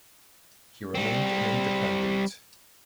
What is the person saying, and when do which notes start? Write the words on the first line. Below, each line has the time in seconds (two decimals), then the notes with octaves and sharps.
He remained an independent.
0.95 G3 C4